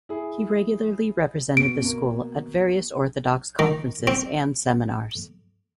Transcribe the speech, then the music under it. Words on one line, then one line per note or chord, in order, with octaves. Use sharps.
He regularly represented the school at various Orthodox conferences and seminars.
E4 G#4
B2 D7
B2 A#3
D#3
C4